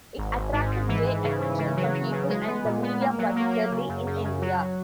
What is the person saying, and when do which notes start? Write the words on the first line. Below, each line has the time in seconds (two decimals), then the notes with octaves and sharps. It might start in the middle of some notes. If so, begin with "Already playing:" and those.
It attracted great attention from people and the media particularly in India.
0.18 G#1
0.35 G#1
0.53 G#2
0.71 G#2
0.88 E3
1.06 E3
1.24 C#3
1.41 E3
1.59 C#3
1.76 F#3
1.94 F#3
2.12 C#3
2.29 G#3
2.47 B3
2.65 A#2
2.83 B3
3.00 A#3
3.18 F#3
3.36 A#3
3.53 A#3
3.71 C#3
3.89 F#2
4.07 F#2
4.24 C#3
4.41 F#3